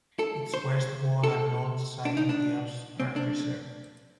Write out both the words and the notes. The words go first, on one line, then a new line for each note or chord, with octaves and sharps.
Its west wall and north side of the apse are preserved.
A4
C5
A4
D4
D#4
D4
C4
D4